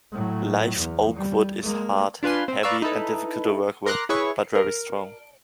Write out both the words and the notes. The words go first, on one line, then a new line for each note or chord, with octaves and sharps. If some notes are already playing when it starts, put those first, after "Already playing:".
Live oak wood is hard, heavy, and difficult to work with, but very strong.
A2 F#3
E2
G3
G#3 A#3
D4 F4 B4 G#5 C6
C4
B4 D5 F5 A#5 C#6 E6
D#4 E4 A4 B4
A#4 A#5 C6 D6 F#6 A#6
E4 G#4 B4 C#5 C#6
A#4